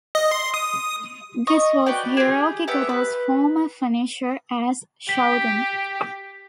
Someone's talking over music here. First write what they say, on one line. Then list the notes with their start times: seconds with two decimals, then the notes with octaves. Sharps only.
This was Hirooki Goto's former finisher as "Shouten".
0.15 D#5
0.31 C6
0.54 D#6
1.47 D#5 C#6 D#6
1.86 F#4 B4 D5 G5
2.17 G4 G#4
2.68 B3 G4 E5
2.89 B4
5.09 G4 B6